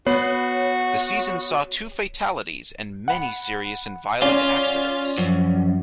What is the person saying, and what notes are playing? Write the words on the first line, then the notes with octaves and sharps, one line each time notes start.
The season saw two fatalities and many serious and violent accidents.
B3 F#4 C#5
F#5 B5
C#4 F4 D5
F#2 F3